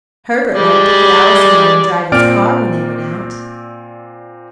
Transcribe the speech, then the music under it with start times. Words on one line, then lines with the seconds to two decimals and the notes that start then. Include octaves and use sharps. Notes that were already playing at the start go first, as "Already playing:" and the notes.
Herbert liked it that Allison let him drive his car when they went out.
0.54 G3 G#3 D5
2.12 A#2 C4 D5 F6 D7